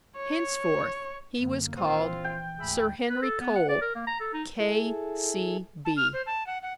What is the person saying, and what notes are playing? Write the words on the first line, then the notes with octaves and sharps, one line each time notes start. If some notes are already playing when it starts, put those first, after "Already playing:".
Henceforth he was called Sir Henry Cole, K. C. B.
C#5
F#2 D3 A#3
A#1 E3 C4 F4
G5
D2 G#2 G#4 E5 B5
B4
A4
B3
F#5
D5
A#4
A#3
A#5
A4
D#4
E4 G#4 A4
A5
F6
C5
A5
F#5
F#5